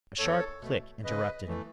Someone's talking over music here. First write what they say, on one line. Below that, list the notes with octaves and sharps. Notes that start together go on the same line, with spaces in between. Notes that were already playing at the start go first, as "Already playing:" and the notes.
A sharp click interrupted him.
E2 A4 C#5
B2 A3
C#3 B4 D#5
E3 A3